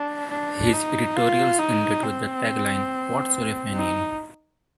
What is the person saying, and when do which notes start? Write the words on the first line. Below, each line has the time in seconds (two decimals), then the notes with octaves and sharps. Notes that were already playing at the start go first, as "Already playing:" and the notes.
His editorials ended with the tagline What's your opinion?
Already playing: D4
0.30 D4
0.73 D#4
1.16 F4
1.59 D#4
2.03 C4
3.75 D#4